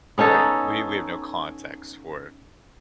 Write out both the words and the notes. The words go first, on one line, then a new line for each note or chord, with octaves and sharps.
Right, we we have no context for it.
B3 C#4 D#4 A4